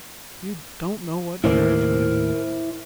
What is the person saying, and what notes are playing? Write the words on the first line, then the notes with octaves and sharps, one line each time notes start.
"You don't know what marriage means!"
D#2 A2 E4 A#4 C5 D5